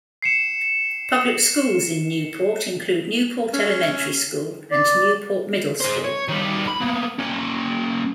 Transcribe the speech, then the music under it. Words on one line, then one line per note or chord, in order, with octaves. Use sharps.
Public schools in Newport include Newport Elementary School and Newport Middle School.
C7 C#7 E7
C#4
D5
G#4 C5
C#5
D#3 G3
B5
A#3 B3
A#3 C#4